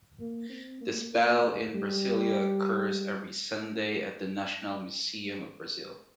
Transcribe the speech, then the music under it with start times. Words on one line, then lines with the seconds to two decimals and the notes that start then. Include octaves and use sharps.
This battle in Brasilia occurs every Sunday at the Nacional Museum of Brazil.
0.20 A#3
0.50 C4
0.81 A#3
1.13 A#3
1.44 A3
1.74 G3